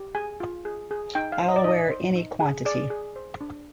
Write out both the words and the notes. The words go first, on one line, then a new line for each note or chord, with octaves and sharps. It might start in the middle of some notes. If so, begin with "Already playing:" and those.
I'll wear any quantity.
Already playing: G4
G#4 G#5
F4
G#4
G#4
D#4 G5
F5
C5
D#5
D5
D#4 D#5
C5
D#4
G#4
G#4 D5
G#4
C5
D4